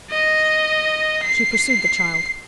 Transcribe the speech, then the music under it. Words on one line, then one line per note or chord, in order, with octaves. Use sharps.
She pursued the child.
D#5
C7